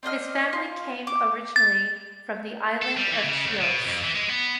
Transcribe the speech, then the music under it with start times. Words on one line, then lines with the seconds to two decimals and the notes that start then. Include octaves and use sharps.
His family came originally from the island of Chios.
0.03 C4 D4 D#5 F6
0.53 F4
1.07 D6
1.56 A6
2.82 A4
2.97 G3
3.11 E3
3.24 C#3
3.46 C#2
3.61 B2
3.87 F2
4.04 E3
4.15 G#3
4.29 B3